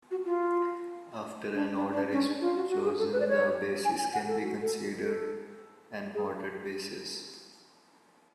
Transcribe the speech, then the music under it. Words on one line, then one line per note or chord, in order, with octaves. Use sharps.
After an order is chosen, the basis can be considered an ordered basis.
F#4
F4
D4
D4
D4
C#4
D4
F4
F#4
F#4
G#4
A4
B4
D5
C#5
G#5
G#5
F#5
A4
F#4
A4
A4
G#4